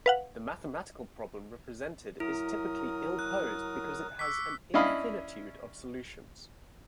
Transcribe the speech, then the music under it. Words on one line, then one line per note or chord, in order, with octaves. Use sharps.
The mathematical problem represented is typically ill-posed because it has an infinitude of solutions.
B4 F5 F#5
F#3 E4 A#4 D#6
F#6
C#6 D6 E6 B6
C#4 D4 E4 D#5 F5 B5